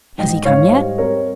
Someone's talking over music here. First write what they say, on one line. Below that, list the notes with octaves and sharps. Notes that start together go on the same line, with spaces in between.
"Has he come yet?"
G#2 D#5 G5
G#2 C#5 F5
G3 C5 D#5
C4 A#4 C#5